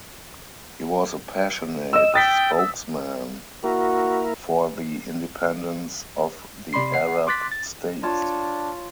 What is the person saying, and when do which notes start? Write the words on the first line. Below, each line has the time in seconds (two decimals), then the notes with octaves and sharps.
He was a passionate spokesman for the independence of the Arab states.
1.93 D#5 E6 E7
2.14 G5 D#6 A6 B6
2.58 E6
3.64 A#3 E4 F#4 A#4
6.73 C3 D5 B5 C6 C7
6.94 F#5 C7
7.27 C6 D6 F#6 A6 B6
7.52 A6
8.03 D4 F4 C#5 A5